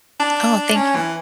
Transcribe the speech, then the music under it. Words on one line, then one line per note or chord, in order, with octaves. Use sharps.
Oh, thank you.
D4
C#4
E3